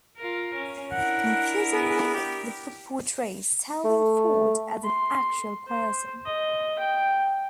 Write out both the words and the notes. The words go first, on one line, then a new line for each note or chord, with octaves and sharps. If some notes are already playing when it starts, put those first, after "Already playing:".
Confusingly the book portrays Selwyn Ford as an actual person.
F4 A#4
C#4
D4 E4 A#4 F#5
B3
G4
A3
C6
C5
D#5
G5